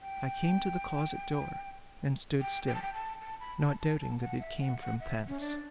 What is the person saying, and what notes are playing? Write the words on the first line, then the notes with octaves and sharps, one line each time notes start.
I came to the closet-door, and stood still, not doubting that it came from thence.
G5
G5
G5
A5
G5
A5
A5
B5
A5
A5
A5
F#5
E5
F#5
F#5
E5
C#4
D4